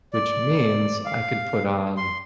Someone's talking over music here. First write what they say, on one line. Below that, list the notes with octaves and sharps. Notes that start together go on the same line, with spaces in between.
which means I can put on,
D5
F5
C6